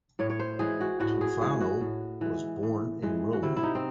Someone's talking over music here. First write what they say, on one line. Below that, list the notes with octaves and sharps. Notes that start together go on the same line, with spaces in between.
Tofano was born in Rome.
A2 C#5
C#5
C5
E3 G#3 G#4
F#4
A2 F#4
G#4
E3 G#3 G#4
F#4
A2
E3 G#3
A2
E3 G#3
F#4
C3 E4
E4
D#4
C4